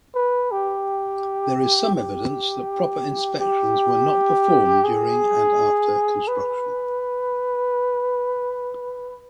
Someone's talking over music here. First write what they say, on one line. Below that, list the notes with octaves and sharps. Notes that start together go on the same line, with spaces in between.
There is some evidence that proper inspections were not performed during and after construction.
B4
G4
G4
G4
G#4
B4